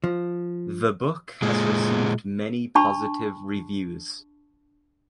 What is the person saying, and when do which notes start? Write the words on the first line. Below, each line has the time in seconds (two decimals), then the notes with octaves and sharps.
The book has received many positive reviews.
0.04 F3
1.42 A#2 G#3
2.75 D4 A5 B5 C#6